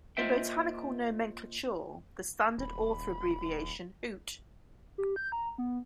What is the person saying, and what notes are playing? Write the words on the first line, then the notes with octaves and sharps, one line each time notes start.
In botanical nomenclature, the standard author abbreviation Houtt.
A#3 F4 C5 D#5 E5 G5
D#1 B5
G4
G6
A#5
B3